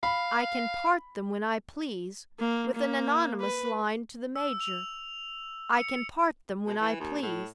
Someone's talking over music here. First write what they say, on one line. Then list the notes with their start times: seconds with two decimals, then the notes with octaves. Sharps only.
I can part them when I please; with an anonymous line to the major, I can part them when I please!
0.03 F5 B5
2.39 A#3
2.75 A#3
3.41 B4
4.36 E6
4.60 F7
5.79 C#7
6.67 B2
6.80 E3
7.00 D#2
7.22 A2